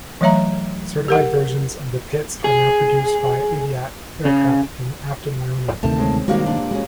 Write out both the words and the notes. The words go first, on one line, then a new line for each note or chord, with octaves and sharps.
Certified versions of the Pitts are now produced by Aviat Aircraft in Afton, Wyoming.
E3 F#3 A3 C#5 E5 A#5
G4 A#4 F#5
G#4
C#3
D2 C3 D#3 A3 A5
G#3 C4 C#4
C3 D#3 G3 G#3 A#3 F#4 G4 F5
A#2 D4
G#3 C#4 F#4